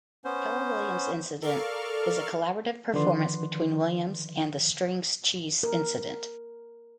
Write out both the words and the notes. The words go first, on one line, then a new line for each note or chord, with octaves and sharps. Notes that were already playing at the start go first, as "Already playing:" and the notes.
"Keller Williams Incident" is a collaborative performance between Williams and The String Cheese Incident.
B3 C#4 C5
A4 A#4 D5 F5 C#6 F6
D3 D#3 F3 B4 D5 C6
A#4